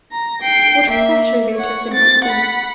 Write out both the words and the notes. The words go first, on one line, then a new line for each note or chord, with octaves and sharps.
What pleasure they took in high things!
A#5
G5 C7
A#3 E5
C#5 F#5
C4 A6
F#5 B5